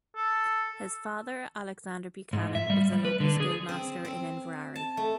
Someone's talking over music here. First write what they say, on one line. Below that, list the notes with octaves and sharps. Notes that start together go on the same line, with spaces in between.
His father, Alexander Buchanan, was the local schoolmaster in Inverary.
A4
G#2
E5
G3
G3
B4
D3
G#4
C4
C4
A5
A3